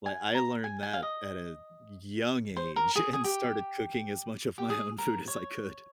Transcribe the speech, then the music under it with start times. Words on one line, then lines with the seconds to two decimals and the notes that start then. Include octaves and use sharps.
Li I learned that at a y young age and started cooking as much of my own food as I could.
0.06 G#5
0.35 A#5
0.64 G#5
0.83 G#5
0.94 F5
1.03 D#5
2.57 C5
2.76 A#4
2.96 G#4
3.13 G#4
3.24 G4
4.58 G4
4.70 G#4
4.98 A#4
5.28 C#5